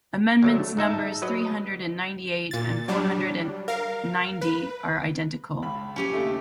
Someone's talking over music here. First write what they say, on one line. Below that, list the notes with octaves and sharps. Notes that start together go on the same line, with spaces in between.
Amendments numbers three hundred and ninety-eight and four hundred and ninety are identical.
D2 F#3 A3
G#2 D#4 E5 A5
F#3 B4 D#5
A#2 A6
F#3 G3 D4
A#4 F5
B4
C#2 B5
C#4 G4 G#5
D#2 C#3 A3